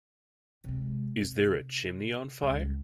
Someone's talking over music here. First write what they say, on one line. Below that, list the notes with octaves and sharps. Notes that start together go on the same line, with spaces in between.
Is there a chimney on fire?
C3 G#3
C3
C#2 C#3